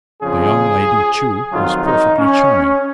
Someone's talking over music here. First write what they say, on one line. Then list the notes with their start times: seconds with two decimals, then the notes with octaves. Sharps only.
The young lady, too, was perfectly charming.
0.21 F2 C#3 F3 G#4
1.51 F2 D#3 F#3 F4
1.84 D#4
2.17 C#4